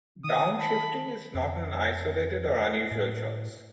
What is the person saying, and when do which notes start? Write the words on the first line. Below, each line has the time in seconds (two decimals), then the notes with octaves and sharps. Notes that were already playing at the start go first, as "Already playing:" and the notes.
Downshifting is not an isolated or unusual choice.
0.24 D#3 D#6
0.60 A5 B5
1.34 F2
2.91 A2